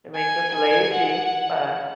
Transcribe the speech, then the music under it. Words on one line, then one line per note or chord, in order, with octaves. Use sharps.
It makes us lazy, but,
G#5
G#5
F#5